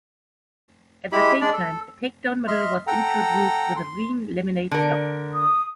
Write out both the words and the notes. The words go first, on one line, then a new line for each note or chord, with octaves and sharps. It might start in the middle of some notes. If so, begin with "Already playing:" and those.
At the same time a "Takedown" model was introduced with a green laminate stock.
G#3 E4 G4 B5
G#3 D4 D5
A4
D#5 E5 C6 F6
A4 F#5 G5 A#5
C6
D3 A#4
D#6